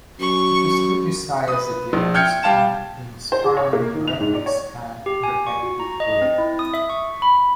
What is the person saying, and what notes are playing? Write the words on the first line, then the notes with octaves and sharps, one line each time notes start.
It criticized the game's uninspiring graphics and repetitive play.
F#2 C#6
B4 D#6
A#1
E5 G5 F6 G6 G#6 C#7
G3 F5 G5 A5 E7
C5
G#4
C#5
A#3
D#3
F7
G#2
D5
C#5
G4
G#5
C#6
F#4
A#5
D#5
C4
E4
D#6
E5
C#6
B5